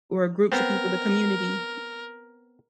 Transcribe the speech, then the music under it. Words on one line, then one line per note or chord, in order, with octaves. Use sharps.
where groups of people the community,
B3 C4 A#4